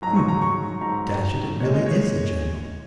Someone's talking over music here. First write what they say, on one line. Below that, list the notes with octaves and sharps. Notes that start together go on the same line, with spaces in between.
Hm, dash it, it really is a general!
G#2 F#3 A#5
C#6
A#5
C#6
G#2 F#3 A#5
A#2 G#3 C#5
D#5
C#5